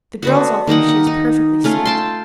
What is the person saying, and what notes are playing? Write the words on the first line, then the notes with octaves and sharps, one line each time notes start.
The girls all think she is perfectly sweet.
D3 B3 F#4
D#3 A#3 D#4 F#5
F#5
D#4
A3 C#4 F4
G5 A5 C6